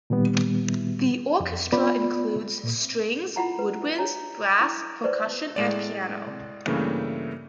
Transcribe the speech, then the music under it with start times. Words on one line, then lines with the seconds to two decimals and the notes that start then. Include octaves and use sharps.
The orchestra includes strings, woodwinds, brass, percussion and piano.
0.10 A#2 D#3 G3 B3
1.40 F2
1.73 B3 F4 D5 B5
2.64 A#2
3.36 E4 F4 F#5 A#5
3.59 B4
3.98 D4 C#5 A#5
4.59 E4 D6
5.04 B4 C5 D5
5.56 A2 G#3 D5
6.66 G2 C#3 E3 A3 A#3